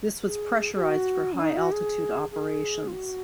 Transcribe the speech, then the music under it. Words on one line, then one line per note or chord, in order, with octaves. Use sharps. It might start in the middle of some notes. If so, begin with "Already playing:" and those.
This was pressurised for high-altitude operations.
G#4
G#4
F#4
C#4
D#4
F#4
G#4
G#4
F4
F#4